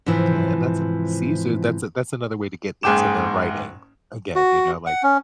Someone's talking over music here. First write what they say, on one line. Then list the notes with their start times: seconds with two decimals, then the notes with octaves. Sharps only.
Yeah, and that's an See? So that's a that's another way to get into the writing again, you know, like,
0.06 G#2 C3 E3 F3
2.83 F#1 G#2 G#4 G5 D6 E7
4.35 F#4
4.86 F#5
5.03 C#4